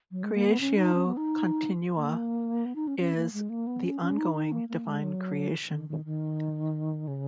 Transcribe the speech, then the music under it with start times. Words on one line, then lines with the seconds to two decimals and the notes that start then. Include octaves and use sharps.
"Creatio continua" is the ongoing divine creation.
0.11 F#3
0.23 G#3
0.36 A#3
0.48 B3
0.60 C#4
0.77 D#4
0.94 C#4
1.06 B3
1.17 D#4
1.96 A#3
2.65 B3
2.76 D#4
2.88 C#4
2.99 C#4
3.16 A#3
3.33 G#3
3.50 A#3
3.67 B3
3.84 C#4
4.01 C#4
4.18 D#4
4.35 D#4
4.52 A#3
4.69 A#3
4.86 G#3
5.03 F#3
5.71 D#3
5.89 D#3
6.05 D#3
7.08 C#3